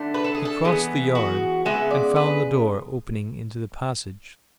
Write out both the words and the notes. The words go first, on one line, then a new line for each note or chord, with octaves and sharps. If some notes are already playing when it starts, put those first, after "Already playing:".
He crossed the yard and found the door opening into the passage.
Already playing: D3 A3 D4
B4
A4
G#4
A4
E3 G#3 B3
F#4
C#3 G#3 B3 E5
D5
B4